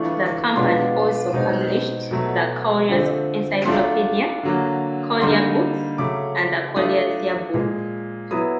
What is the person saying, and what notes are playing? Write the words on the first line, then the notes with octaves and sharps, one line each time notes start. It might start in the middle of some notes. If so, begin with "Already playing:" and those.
The company also published the "Collier's Encyclopedia", Collier Books and the "Collier's Year Book".
Already playing: E3 A3 D4 F4 C#6
B2 G#3 B3 D4 F4 C6
B2 G#3 C4 D#4
B2 F#3 A3
D3 F3 A3 C4
F#3 A3 D4 F4 C6
D3 F#3 A#3
D3 G3 A#3 D#4 C6
C#3 F#3 A3 D6
F3 A3 D4 F4 D#6
A#2 F3 G#3
F#3 B3 E4 D#6